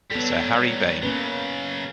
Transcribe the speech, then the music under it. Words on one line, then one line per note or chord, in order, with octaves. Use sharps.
Sir Harry Vane!
F#3 G3 B3 A4
C#3 F#3 A#3 C#4 B4